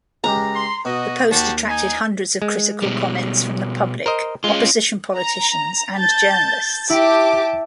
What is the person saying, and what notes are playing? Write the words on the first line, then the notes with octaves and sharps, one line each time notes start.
The post attracted hundreds of critical comments from the public, opposition politicians and journalists.
C#2 G#3 G4 A#5
C6
B2 F#4 D#5
D#2 F#4 G4 A5
D#4 G#5
G#3
B2 G3
A#4 C5 D#5
G#3 C#4 F4
A#5
A5 G6 A6
E4 G4 A5 D6